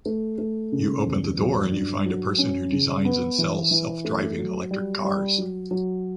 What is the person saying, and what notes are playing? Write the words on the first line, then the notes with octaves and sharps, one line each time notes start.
You open the door and you find a person who designs and sells self-driving electric cars.
A3
A3
C#3
E2
F#3
G2
F#3
C#4
C#3
B3
E3
E3
A3
F#3
G3
G3
F#3
F#3